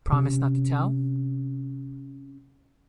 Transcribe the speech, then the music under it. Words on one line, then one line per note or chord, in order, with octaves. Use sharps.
Promise not to tell?
C3 C#4